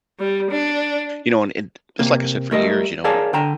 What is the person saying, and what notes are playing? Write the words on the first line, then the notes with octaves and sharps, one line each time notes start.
You know, and and d just like I said for years, you know,
G3
D4
C3 A#3
G3 A3 A#4 D#5
G#4 A#4 C#5 D5 F5 A5
D3 G5 A#5